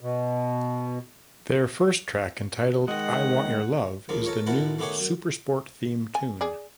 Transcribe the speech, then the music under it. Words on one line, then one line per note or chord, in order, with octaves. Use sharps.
Their first track; entitled "I Want Your Love" is the new SuperSport theme tune.
B2
D#3 G#3 D#5 F#5
C#2 D#3 F3 A#3
A4 A#4 C#5
A1 B2 E4 A4 A#4 F#5
D#3 A3 B3 G4 G#4 C#5
F#2
G#5
G#4 D5